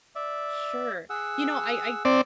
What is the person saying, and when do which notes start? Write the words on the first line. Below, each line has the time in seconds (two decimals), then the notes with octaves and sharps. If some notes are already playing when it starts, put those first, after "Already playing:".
Sure, you know, I
0.15 D5 E5
1.10 G#4 F#5 E6
2.05 C4 D5